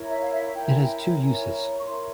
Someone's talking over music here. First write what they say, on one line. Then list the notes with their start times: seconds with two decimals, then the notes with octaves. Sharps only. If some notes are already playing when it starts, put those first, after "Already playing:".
It has two uses.
Already playing: E4 A#4 C#5
0.10 E5
0.22 F5
0.32 E5
0.55 E4 A#4 C#5 G5
0.68 G#5
0.82 G5
1.21 E4 A#4 C#5 G#5
1.79 C#6
1.86 E4 A#4 C#5 C6